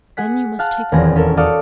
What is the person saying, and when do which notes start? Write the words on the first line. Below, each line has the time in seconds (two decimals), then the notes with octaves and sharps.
Then you must take a walk.
0.17 G#4 F#5 B6
0.59 F5 A5 F#6
0.92 D#1 E2 C4 G#4 A#6
1.16 C#4 A4 A#4
1.37 F#4 A4 D5 F5 C#6 D#6